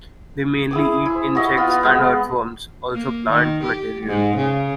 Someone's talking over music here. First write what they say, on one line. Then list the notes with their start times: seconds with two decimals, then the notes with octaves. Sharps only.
They mainly eat insects and earthworms, also plant material.
0.71 E4 G#4 D6
1.06 E4
1.35 E4 F#4 D#5
1.57 B3 F4
1.83 G#3 B3
2.95 A#3
3.29 D#3
3.63 G4
4.06 G#2
4.37 C#3